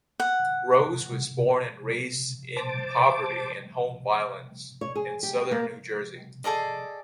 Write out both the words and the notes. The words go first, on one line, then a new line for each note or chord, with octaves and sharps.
Rose was born and raised in poverty and home violence in Southern New Jersey.
F#5
C5 A5 D6
C#5
G#4
G4
A#3
G#4 A4 D5 D#5